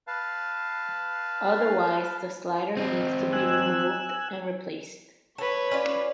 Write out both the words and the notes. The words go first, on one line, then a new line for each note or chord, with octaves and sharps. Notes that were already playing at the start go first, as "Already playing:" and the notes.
Otherwise the slider needs to be removed and replaced.
B4 F5 A5
C4 D#4
G#5 E6 F#6
A4 B4 C#5
C#4 F4 D5